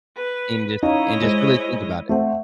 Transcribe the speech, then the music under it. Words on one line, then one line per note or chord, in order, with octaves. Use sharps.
and just and just really think about it.
B4
C#4 D#4 E4 C#5 D#5 F5 A#5
G#3 C5
A3 C4 E5 F#5